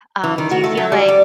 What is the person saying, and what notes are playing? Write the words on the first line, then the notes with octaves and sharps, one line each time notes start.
um Do you feel like
E3
D#3
F#4
A3
F#3
G3
G3